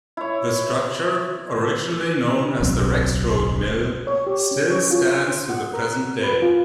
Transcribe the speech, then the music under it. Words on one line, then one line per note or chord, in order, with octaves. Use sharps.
The structure, originally known as the Rexrode Mill, still stands to the present day.
E4 C#5
D1 B1 F#3 C4
C#5
G4
C#4
C#5
F4
C5
F#5
A#4
B4
F4